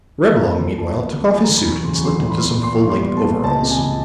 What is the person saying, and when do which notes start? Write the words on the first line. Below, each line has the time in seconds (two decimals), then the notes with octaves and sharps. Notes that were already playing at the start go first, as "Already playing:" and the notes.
Reblong meanwhile took off his suit and slipped into some full-length overalls.
0.24 A#3 B5
0.37 D3 A#5
0.49 B5
0.60 D2
0.77 F3 A5
0.96 A#3
1.13 D3
1.30 F#3 G#5
1.44 A#5
1.49 D2
1.57 B5
1.66 E1 C#6
1.84 C#3 C6
1.95 C#6
2.01 F#3 C6
2.20 D2
2.30 B5
2.37 B3 C6
2.51 A#2 B5
2.63 C6
2.72 A#1 C#6
2.90 G3 C6
3.08 B3
3.17 A5
3.26 A#2
3.44 C#2 A5
3.61 C3
3.71 G#5
3.78 C#2